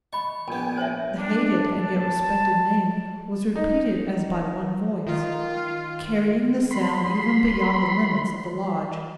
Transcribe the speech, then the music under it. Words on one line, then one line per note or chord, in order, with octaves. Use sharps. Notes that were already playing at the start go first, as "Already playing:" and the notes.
The hated and yet respected name was repeated as by one voice, carrying the sound even beyond the limits of the lodge.
D#5 B5 C#6
A#1 B3 G5 G#5
C5 C#5 E5
D4
A5
D#4
D#3 F4
B5 C6